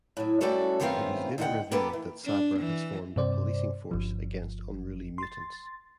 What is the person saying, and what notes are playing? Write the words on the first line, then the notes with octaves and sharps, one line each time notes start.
It is later revealed that Sabra has formed a policing force against unruly mutants.
A2 F#3
G3 A3 C#4 F#4 A4 D5
F#2 D#3 A3 B3 C4 F4
D2 D#4 E4 A4 F#5 G5
A#3 B3 G4 A4 B4
E3
D4
E3
G2 C3 C5 D5
G1 F3
C6 A6